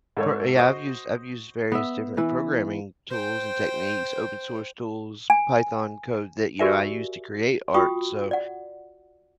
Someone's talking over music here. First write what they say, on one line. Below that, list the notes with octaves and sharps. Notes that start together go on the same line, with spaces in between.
Per a I've used I've used various different programming tools and techniques, open source tools, Python code that, you know, I use to create art, so,
G#2 A4 C#5
F#4 C5 D#5
B3 E5
E3 B4 E5
C5 G5
G#5
F#4 G4 A#4 D5 E5 G#5
F4 F#4 G5 B5 C#6 D#6
D5 F#5